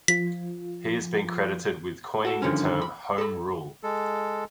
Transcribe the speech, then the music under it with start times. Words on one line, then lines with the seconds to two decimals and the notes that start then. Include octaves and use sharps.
He has been credited with coining the term "Home Rule".
0.08 F3 F4 B6
2.25 F#4 A4
2.42 G2 D3 D#3 F3 C#4
2.82 B5
3.18 A4 B5
3.83 G#3 A4